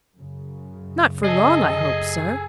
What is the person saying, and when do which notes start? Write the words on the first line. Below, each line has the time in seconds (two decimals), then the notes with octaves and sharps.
"Not for long, I hope, sir."
0.18 F#2 C#3
1.24 G#4 A4 D#5